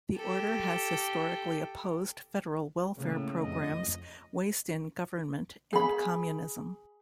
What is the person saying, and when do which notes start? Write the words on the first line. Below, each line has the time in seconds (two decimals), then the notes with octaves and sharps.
The order has historically opposed federal welfare programs, waste in government and Communism.
0.17 G4 A4
2.97 A2 C#3 A#3
3.41 F2 D#5
5.73 G#4 B5